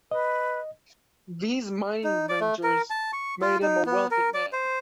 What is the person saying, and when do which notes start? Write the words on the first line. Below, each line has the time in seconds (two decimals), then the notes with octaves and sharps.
These mining ventures made him a wealthy man.
0.11 B4 D#5
2.04 D#4
2.29 D5
2.41 A3
2.63 A#4
2.90 A5
3.13 C#6
3.42 F4
3.62 D#4
3.86 B3
4.11 A#4
4.34 D5
4.53 C5